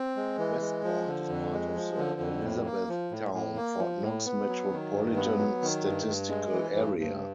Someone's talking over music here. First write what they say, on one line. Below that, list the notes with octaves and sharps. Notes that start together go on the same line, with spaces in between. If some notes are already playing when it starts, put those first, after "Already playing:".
West Point is part of the Elizabethtown-Fort Knox Metropolitan Statistical Area.
Already playing: C4
G#3
E3
G#3
F3
D3
F2
G#3
F3
D3
F2
A2
A#3
F3
A2
A2
A#3
F3
A2
B3
F#3
D#3
G2
B3
F#3
D#3
G2
G2
G#3
E3
G2
G2